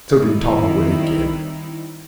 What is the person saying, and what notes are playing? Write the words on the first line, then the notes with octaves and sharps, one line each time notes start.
So did Topper when he came.
D#3 G3 C4 D#4 E4